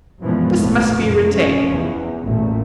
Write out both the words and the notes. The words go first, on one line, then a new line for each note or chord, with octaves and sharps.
This must be retained.
F#2 A#2 E3 F3 G#3 B3
F1 B1 A2 A3 B3
F1 A#1 F#2
F1 F3 C#4
E2
A1 A#2 A3